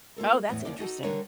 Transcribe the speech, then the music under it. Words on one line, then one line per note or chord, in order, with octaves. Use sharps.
Oh, that's interesting.
A#3 F4 A4 A#4
E2 A2 B3
D#2 C#3 E3 A#3 D5
D#4 F#4 G#4 A4
D3 G3 D4 A#4 B4 C#5